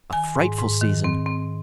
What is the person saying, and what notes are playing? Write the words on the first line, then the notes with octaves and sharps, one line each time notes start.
A frightful season!
D#3 G#5
G#2
G#2
D#3
C4
C4